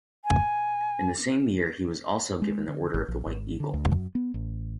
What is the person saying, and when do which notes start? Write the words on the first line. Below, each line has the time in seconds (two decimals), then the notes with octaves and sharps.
In the same year he was also given the Order of the White Eagle.
0.24 G#5
2.42 G#3
2.68 D3
2.94 G#1
3.08 A#1
3.26 G#1
3.60 D3
3.74 D2
3.90 F#2
4.15 B3
4.34 A1